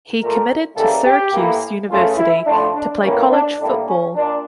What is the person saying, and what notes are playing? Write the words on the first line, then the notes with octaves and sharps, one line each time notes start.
He committed to Syracuse University to play college football.
A#2 A3 A#4
C#3 E3 G3 A#3 A4
G4
A2 E3 A#3
C#3 E3 A3 F4
E4
A2 F3 A3 D4
D4
A2 E3 A#3 C#4
D4
A2 G3 A#3 D4
C#4
A#2 D4